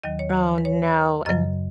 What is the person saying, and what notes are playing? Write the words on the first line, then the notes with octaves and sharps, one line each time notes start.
Oh, no, and
D#2 D#3 F#3 D#5
C#5
B4
C#5
F#2 C#3 F#3 D#5